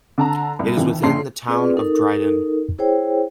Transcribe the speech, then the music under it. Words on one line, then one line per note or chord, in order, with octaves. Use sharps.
It is within the Town of Dryden.
D3 A5 A#5
C2
F2 C3 D#3 E3
A#1 C#3 C#4 D4 C6 C7
C4 F4 G#4 B4 D5
D#4 A4 A#4
E4 G#4 C5 C#5 G5